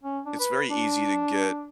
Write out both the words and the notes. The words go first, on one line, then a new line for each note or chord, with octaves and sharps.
it's very easy to get
C#4
D4
B4
D4